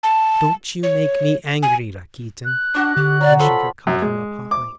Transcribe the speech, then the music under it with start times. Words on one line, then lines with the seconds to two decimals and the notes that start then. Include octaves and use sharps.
"Don't you make me angry, Rakitin." Grushenka caught him up hotly.
0.03 A5
0.83 C#5
1.63 G#5
2.45 F#6
2.75 D4 F#4 D5
2.97 D3 G4
3.21 F#3 D5
3.39 F3 A4 B5
3.87 F#2
4.02 G#3
4.51 D6